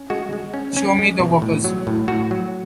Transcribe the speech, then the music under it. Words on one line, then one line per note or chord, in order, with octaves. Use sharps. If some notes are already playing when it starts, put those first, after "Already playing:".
Show me the workers.
Already playing: C#4
G#3 F#4
G#3
C#4
C#4
G#3
B2
A2
F#3
A2
A2 F#4
F#3